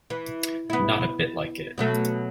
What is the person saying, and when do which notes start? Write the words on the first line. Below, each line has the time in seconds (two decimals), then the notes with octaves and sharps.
Not a bit like it.
0.10 E3
0.70 B3 E4
1.78 B2 F#3 A3